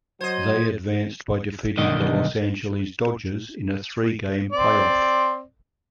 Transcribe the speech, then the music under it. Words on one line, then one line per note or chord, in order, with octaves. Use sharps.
They advanced by defeating the Los Angeles Dodgers in a three-game playoff.
F#3 C5 D#5 G#6
B1 D3 D#3 D#5
C4 D5